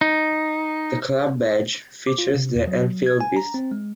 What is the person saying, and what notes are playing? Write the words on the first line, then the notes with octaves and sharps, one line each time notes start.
The club badge features the Enfield beast.
D#4
D6
F4
C3
E2
F#3
G#6
G#5
A#5
C4
G#3